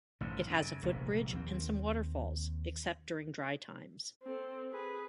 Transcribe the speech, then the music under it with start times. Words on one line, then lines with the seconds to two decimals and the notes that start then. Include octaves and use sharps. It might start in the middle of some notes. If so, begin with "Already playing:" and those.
It has a footbridge and some waterfalls except during dry times.
0.21 A1 G2 C3
0.50 F#2 C#3
0.83 F1 A#1 G#2 C3
1.34 D#2 C4
4.23 C4 A4
4.71 G#4 B4